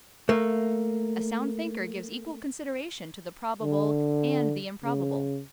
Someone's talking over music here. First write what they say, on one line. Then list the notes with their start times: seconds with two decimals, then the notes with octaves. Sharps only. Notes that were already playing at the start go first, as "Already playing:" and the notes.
"A sound thinker gives equal consideration to the probable and the improbable."
0.29 A3 A#3
3.63 D3
4.84 C#3